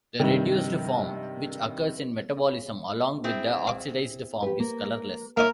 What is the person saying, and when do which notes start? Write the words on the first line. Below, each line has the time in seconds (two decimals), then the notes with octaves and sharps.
The reduced form, which occurs in metabolism along with the oxidized form, is colorless.
0.20 G2 C3 D#3
3.24 C4 E4 G#4
3.67 F5 D6
4.42 G4 B4
4.60 A#3
5.37 A#3 D#4 A#4 C#5 E5 D6